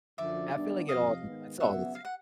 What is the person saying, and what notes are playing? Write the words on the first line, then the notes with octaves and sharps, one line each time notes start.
I feel like it all it's all the same,
F#2 D3 F3 D5 E5
D#3 G3 B3 D4
F2 C3 F3 D#5 F5
G#2 D#3 G#3 B3
F2 C#3 F#3 B3 E5 F#5
F5
F#5